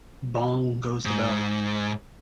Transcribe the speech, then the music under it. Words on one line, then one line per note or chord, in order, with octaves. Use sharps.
Bong goes the bell.
G#2